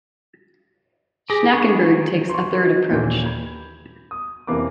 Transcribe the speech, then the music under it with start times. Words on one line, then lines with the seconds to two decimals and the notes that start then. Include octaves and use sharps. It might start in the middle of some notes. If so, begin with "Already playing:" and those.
Schnackenberg takes a third approach.
1.30 G4 G#4 A#6
1.53 G#3 D4 C#6
1.90 D#3
2.29 C6 C#6
2.62 D#5
2.90 D#2 A#2 E3 G6
3.26 B5 G#6
4.11 D#6
4.47 F2 C3 E3 A#3 B4 D6